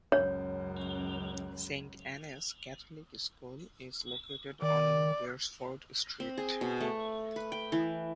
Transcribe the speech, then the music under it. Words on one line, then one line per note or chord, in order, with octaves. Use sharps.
Saint Annes Catholic School is located on Beresford Street.
C#2 F#2 C#5
D#3 D5
C4
G#4
B2
A3
B4
G5
E3